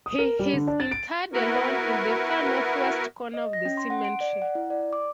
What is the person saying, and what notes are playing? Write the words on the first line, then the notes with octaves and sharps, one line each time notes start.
He is interred alone in the far northwest corner of the cemetery.
D#6
A#4
G3
D3
D4
A6
D7
B3 E4 F#4 A#4 B4
D#5
A#6
C#4
C6
F#5
D7
D5
F#5
E4
D5
D6